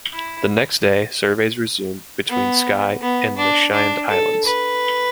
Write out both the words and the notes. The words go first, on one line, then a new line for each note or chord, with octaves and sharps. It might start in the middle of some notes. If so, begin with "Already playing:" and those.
The next day, surveys resumed between Skye and the Shiant Islands.
E4
B3
B3
D4
D4
A4
B4